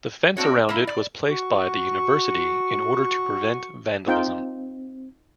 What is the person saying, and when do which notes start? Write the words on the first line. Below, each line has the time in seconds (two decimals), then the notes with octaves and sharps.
The fence around it was placed by the university in order to prevent vandalism.
0.37 A#3 C4 D4 F#4 C#5
0.69 A#3 E4
0.87 D5
1.29 F#4 C#6
4.08 C4 D#4 F4 G5